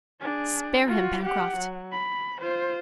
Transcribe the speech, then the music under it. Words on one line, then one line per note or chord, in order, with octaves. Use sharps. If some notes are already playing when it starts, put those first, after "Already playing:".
"Spare him, Pencroft."
D4 G#4
F4 F#4
G4 F#5
F#3
B5
F4 C5